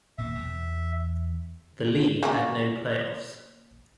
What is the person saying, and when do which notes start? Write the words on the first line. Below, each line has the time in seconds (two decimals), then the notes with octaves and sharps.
The league had no playoffs.
0.18 D#1 B2 A#3 E5
0.38 E2
2.23 A#3 C#4 F#4